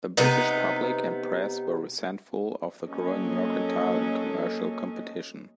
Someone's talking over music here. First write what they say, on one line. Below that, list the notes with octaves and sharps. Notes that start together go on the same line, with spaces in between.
The British public and press were resentful of the growing mercantile and commercial competition.
C3 B3 D#4
F#3 A#3 C#4 A4 D#5